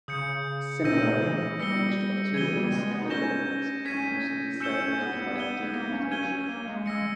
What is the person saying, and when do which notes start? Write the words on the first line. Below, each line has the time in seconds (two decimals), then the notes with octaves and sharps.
Similarly a mixture of two immiscible liquids can also be separated by decantation.
0.08 C#3 D#6 G6 C#7
0.84 A#2 E6 G6 A#6 D#7
1.22 E3
1.59 G3 E6 A#6 C#7 G7
2.34 E3 G#6 D#7 G7
2.53 G3
2.72 G#3
2.91 B3
3.02 D#4
3.10 C#4 G6 A#6 E7 G7
3.85 C#4 G#6 B6 D#7
4.60 C#4 E6 G6 C#7 E7 G7
4.79 C#4
4.99 B3
5.17 B3
5.35 B3 G#6 D#7 G7
5.63 B3
5.74 A#3
5.92 C#4
6.11 C#4 G#6 D#7 G7
6.49 A#3
6.67 G#3
6.86 G#3 E6 A#6 C#7